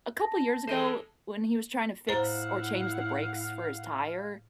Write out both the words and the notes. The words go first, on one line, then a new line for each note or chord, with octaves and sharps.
a couple years ago, when he was trying to fix or change the brakes for his tire,
A5 A#6
E3 G#3 A4 C5 D#5 G5
A2 E4 C5 F5 F#5 A#5